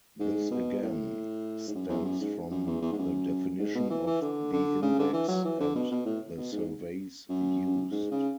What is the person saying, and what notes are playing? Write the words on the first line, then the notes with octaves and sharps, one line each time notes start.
This again stems from the definition of the index and the surveys used.
G#2
B2
A2
G#2
F#2
E2
F#2
G#2
F#2
E2
E2
G#2
F#2
G#2
B2
E3
E3
D3
D3
C#3
D3
E3
F#3
E3
D3
B2
B2
A2
B2
G#2
F#2
G#2
C#3